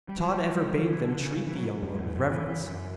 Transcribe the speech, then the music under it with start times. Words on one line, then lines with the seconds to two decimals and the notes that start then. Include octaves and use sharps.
Tod ever bade them treat the young lord with reverence.
0.09 G3
0.18 F#3
0.30 G3
0.40 F#3
0.55 G3
0.67 G3
0.72 F#3
0.88 E3
1.04 D3
1.20 C#3
1.36 C#3
1.47 E3
1.56 F#3
1.83 F#2
1.94 F#2
1.99 E2
2.15 F#2
2.31 E3
2.47 E3
2.63 F#2